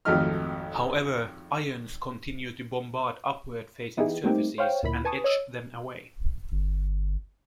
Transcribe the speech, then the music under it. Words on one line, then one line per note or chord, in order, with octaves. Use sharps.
However, ions continue to bombard upward-facing surfaces and etch them away.
G#1 F2 F#3 A3 D#5 F6
E3 B3 D#4 E4 G4 G#4
G3 A3 A#3 C4 D#4 G4
C5 C#5 F5 G5
D2 A#2 E4 B5
B4 G#5 A5 C#6 D#6
C#5 D#5 E6
G1